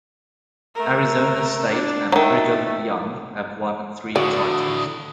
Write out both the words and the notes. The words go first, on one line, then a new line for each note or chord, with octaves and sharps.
Arizona State and Brigham Young have won three titles.
A3 A#4
D4
D#3 F#3 A3
A2 D3 F#4 D5 C#6 D#6